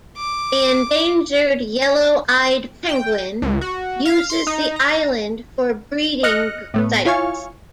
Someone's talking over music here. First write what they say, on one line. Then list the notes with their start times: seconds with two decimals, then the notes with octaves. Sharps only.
The endangered yellow-eyed penguin uses the island for breeding sites.
0.17 D6
2.89 G5
3.42 C#2
3.61 F#4
4.05 F5
4.30 C6
4.47 D#4
4.76 A#5
6.23 D#5 F6 F#6 A#6 C#7
6.74 A2 A3 B3
7.05 E4 F4 C#5 F5 G#5 C#6